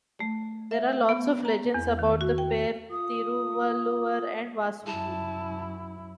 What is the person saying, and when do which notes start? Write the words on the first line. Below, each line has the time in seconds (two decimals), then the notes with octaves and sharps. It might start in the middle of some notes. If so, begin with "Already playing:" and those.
There are lots of legends about the pair Thiruvalluvar and Vaasuki.
0.20 A3
0.71 E5
1.09 B3
1.45 A#5
1.74 E2
1.99 D#3
2.21 F#4
2.38 G5
2.91 F4 D#6
4.86 F#2 E4 A5